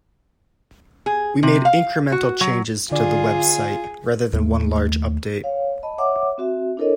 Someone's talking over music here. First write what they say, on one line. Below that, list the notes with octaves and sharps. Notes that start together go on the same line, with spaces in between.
We made incremental changes to the website, rather than one large update.
G#4
C3
F5
F#4
F#3
D3 F4 G#4 D5
D#2 A3
C#5 F5
D#5 A5 B5
C#5 E5 F#5 D6
C4 F#4 E5
D4 E4 A4 A#4 C#5 D#5